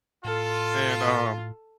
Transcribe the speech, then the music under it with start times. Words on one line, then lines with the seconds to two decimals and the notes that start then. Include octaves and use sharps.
and, um,
0.24 A2 F4 A4